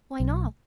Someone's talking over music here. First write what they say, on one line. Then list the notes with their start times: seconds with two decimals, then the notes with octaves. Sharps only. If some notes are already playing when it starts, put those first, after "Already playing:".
"Why not?"
0.20 B1